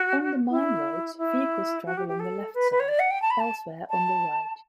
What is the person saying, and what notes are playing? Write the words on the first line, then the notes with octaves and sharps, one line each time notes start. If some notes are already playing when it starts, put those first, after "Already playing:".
On the mine roads, vehicles travel on the left side, elsewhere on the right.
Already playing: F#4
E4
E4
F#4
G4
G4
A4
B4
B4
C#5
D5
F#5
G5
A5
B5
A5
A5